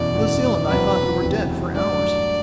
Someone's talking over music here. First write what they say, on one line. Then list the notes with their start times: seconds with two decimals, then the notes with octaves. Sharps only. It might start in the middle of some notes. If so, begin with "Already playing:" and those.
Lucille and I thought you were dead for hours.
Already playing: F#1 E2 B2 D5
0.14 F#1 E2 B2
0.68 E1 E2 C3 F#3 C4 B4
1.22 E1 E2 C3 F#3 C4
1.75 G2 F#3 A3 D5